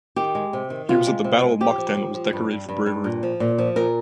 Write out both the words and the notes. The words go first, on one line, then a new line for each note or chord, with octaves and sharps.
He was at the Battle of Mukden and was decorated for bravery.
D#3 G4
G#3
C3
D#3
C3 F4
G#3
C3
G#3
F3 G4
F3
F3
F3
G2
G2
G2
G2
A#2
F3
A#2
F3
A#2 A#4